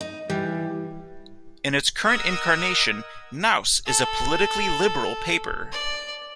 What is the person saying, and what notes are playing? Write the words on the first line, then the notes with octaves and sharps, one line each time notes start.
In its current incarnation, "Nouse" is a politically liberal paper.
D#4
E3 G3
A#4 D#5 F#5 D#6 E6 G#6
A4
D5